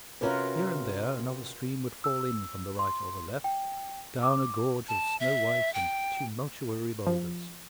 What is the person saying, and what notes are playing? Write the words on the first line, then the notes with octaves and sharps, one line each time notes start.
Here and there another stream would fall in from the right or the left, down a gorge of snow-white and tumultuary boulders.
C3 C#4 F4 F#4 A#4 B4
E6
C6
G5
D6
A5
E5
G5
F3